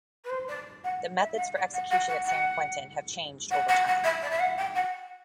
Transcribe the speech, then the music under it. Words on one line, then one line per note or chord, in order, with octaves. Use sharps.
The methods for execution at San Quentin have changed over time.
B4
C5
D5
F#5
E5
F#5
D5
F#5
F#5
F#5
F#5
F#5
F#5
F#5
E5
D5
E5
F#5
G5
F#5